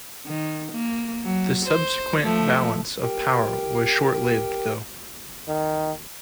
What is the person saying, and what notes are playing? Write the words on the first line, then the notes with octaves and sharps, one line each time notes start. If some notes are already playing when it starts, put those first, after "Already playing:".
The subsequent balance of power was short-lived, though.
D#3
A#3
F#3
C5
F3 A3
G4 A#4 G5
D#3